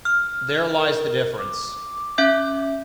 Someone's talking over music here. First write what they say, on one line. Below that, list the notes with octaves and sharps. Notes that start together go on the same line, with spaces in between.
There lies the difference.
F6
A#4
D6
C#4 E5 G6